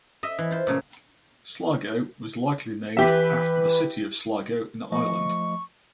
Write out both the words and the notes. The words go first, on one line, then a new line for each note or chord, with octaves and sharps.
Sligo was likely named after the city of Sligo in Ireland.
D#5 E5
E3
F4 C5
A#2 C#3 A3
E3 G4 B4 E5
F3 A3 D#5 C#6